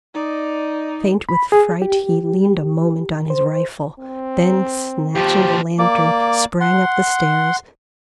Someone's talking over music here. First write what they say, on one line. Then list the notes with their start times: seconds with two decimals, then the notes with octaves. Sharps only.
Faint with fright he leaned a moment on his rifle, then, snatching the lantern, sprang up the stairs.
0.14 D#4 D5
1.29 B5
1.52 G#4
1.82 G4
3.30 C5
4.00 C4
5.15 D#2 F3 G4
5.79 A#3 D5 D6
6.61 F#5 C6